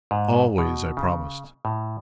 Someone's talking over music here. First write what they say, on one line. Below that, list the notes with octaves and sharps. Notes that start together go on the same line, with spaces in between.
"Always," I promised.
G#2
B2
C#3
A2